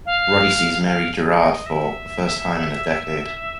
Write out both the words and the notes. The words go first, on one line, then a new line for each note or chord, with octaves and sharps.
Roddy sees Mary Gerrard for the first time in a decade.
F5
F5
D#5
E5